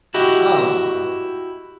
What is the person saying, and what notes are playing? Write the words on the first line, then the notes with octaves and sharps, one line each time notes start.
I don't think so,
E4 F#4 G4 D#5